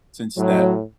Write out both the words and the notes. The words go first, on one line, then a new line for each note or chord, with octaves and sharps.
since that
A2 F#3